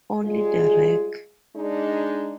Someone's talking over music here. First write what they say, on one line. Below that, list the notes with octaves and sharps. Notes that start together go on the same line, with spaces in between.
Only the Rec.
G3 G#3 F4 G#4
G#3 D4 D#4